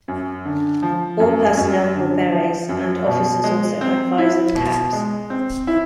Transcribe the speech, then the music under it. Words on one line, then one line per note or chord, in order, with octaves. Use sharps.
All personnel wore berets, and officers also had visored caps.
F#2
D3
F3
F#2
F#2
D3
F3
F#2
B2
G#3
C4
E4
B2
G#3
C4
E4